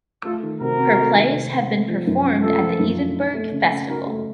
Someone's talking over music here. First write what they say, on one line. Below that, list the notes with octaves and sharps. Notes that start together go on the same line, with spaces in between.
Her plays have been performed at the Edinburgh Festival.
A3 F4 A4
D#3
C3 F#4 A#4
C4
A3
D#3
C3
C4
A3
F3
F#2
C#4
A3 F4 A4
F3
F#2
C#4
D#4
A3
C#3
C#3
D#4 F#4 A#4
A3